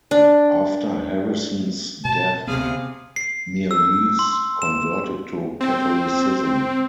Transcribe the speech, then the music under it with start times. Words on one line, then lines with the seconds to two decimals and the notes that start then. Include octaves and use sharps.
After Harrison's death, Mirrlees converted to Catholicism.
0.11 D4
2.05 B2 A5
2.47 D2 C3 A3 B3 G#4 F5
3.16 C7
3.71 E6
4.19 C6
4.62 E7
5.60 C4